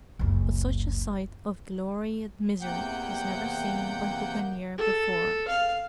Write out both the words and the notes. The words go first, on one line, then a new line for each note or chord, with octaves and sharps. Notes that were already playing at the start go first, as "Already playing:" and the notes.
But such a sight of glory and misery was never seen by buccaneer before.
F#1 C#2
E2 C3 A#3 F#5 G5 G6
A4
F5